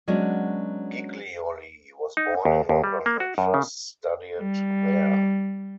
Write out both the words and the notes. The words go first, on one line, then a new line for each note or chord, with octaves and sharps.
Giglioli was born in London and first studied there.
F#3 G#3 B3 C#4 D4
D#4
D#2
D#2
G3
A#3
F#4
F#2
C#3
G3